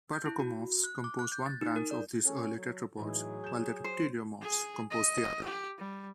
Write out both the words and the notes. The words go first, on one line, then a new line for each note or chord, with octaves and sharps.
Batrachomorphs composed one branch of these early tetrapods, while the reptiliomorphs composed the other.
G6
E4
F#4
F#6
D6
F#6
G6
A6
D#4
A#4
D5
C#4 A4
F#3
A2 E3 F#3 D#4 G#4
G6 E7
C5
G#4
D#5
G4
G3